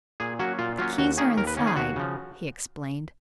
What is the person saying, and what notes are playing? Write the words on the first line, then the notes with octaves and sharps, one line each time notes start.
"The keys are inside," he explained.
A#2 G#4
F#3 A#3 C#4 F#4
A#2 F4
F#3 A#3 C#4 F4
D#2 F#4
D#3 A#3 C#4 G#4
D#2 A#4
B4
D#3 A#3 C#4
G#4
D#2 F#4
C#3 F3